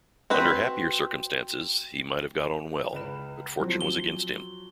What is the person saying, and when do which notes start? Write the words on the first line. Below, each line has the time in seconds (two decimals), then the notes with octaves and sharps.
Under happier circumstances he might have got on well, but fortune was against him.
0.30 C4 F#4 B4
2.92 C#2 B4 E7
3.58 F3 F#3 C4
3.81 G7